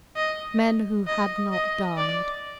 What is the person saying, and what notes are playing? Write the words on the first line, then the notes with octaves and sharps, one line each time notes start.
Men who had not died!
D#5
D#5
D#5
D5